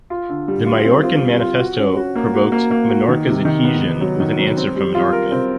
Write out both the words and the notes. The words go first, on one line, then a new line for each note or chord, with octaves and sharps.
The Mallorcan manifesto provoked Menorca’s adhesion with an answer from Menorca.
F4
D3
G3
F4
C4
F4
G3
F4
F#4
C#4
F#4
A#3
F#4
A#3
A#3
F#4
D#3
C3
D#3
B3
D#3
F#3
D#3
F#3
C4
G3
F4
A#4
C4